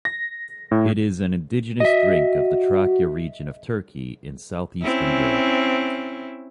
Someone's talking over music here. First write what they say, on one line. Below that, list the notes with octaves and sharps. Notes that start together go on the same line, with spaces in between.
It is an indigenous drink of the Trakya region of Turkey in southeastern Europe.
A#6
A2
F#4 D#5 E5
C4 C#4 E4